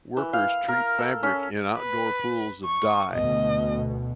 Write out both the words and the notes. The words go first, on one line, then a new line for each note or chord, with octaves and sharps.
Workers treat fabric in outdoor pools of dye.
E3
F5
A#4
A4
C#4
B4
C#6
D2 B2 D#5